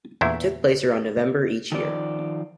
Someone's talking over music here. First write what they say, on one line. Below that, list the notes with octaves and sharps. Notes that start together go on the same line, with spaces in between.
It took place around November each year.
E2 A#2 A3 D4 E4
D#3 F3 D5